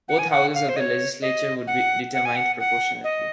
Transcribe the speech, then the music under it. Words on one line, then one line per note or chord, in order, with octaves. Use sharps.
Both houses of the legislature would be determined proportionately.
F#5
G#5
F#5
F5
C5
D#5
C#5
D#5
F#5
F#5
G#5
F#5
F#5
D#5